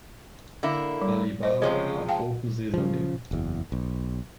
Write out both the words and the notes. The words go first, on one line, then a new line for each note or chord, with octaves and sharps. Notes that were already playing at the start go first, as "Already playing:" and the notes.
Alibaba - open sesame.
D3 A#3 E4
G3
C5 D#5
C3 F3 G#3 C#5
F5 G5 A5
C#3 F3
F#1 E2
B1